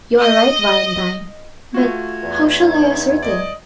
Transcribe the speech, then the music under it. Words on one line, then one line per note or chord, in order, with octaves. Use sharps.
"You are right, Valentine; but how shall I ascertain?"
D#5
A3 F4 F#4 G#6
E2
D#4
D5 D#5